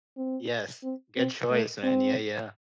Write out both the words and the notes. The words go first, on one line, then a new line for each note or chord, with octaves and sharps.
Yes. Good choice, man. Yeah, yeah.
C4
C4
C4
A3
C4